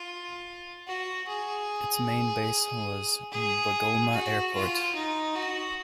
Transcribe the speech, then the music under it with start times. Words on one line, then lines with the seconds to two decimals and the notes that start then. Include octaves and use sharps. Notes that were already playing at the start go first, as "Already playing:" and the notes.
Its main base was Bugulma Airport.
Already playing: F4
0.87 F#4
1.28 G#4
3.32 G#4
4.13 F#4
4.54 F4
4.95 D#4
5.35 F#4